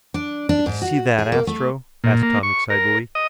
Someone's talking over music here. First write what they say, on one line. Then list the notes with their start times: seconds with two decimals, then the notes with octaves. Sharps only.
"Did you see that, Astro?" asked Tom excitedly.
0.14 D4
0.49 D4
0.66 G#2
0.82 F#4
1.18 G#4
1.32 A#3
1.47 A3
2.04 A#2
2.23 A#3
2.43 C#6
2.70 A#4
3.15 D#5